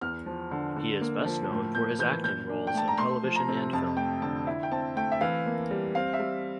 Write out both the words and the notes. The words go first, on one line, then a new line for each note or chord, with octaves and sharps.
He is best known for his acting roles in television and film.
E2 F6
F3
D3
D3
A#3
F3
A2
A#3 G6
E3 G6
A#2 G6
D4
G5
A3 A5
A#5
A3 C6
F3
A#5
C3
F2 A5
A3 G5
D3 A5
E4
G5
C4 A5
A3 G5
E5
E3 F5
A#3
G3
C4 F5
E5
G3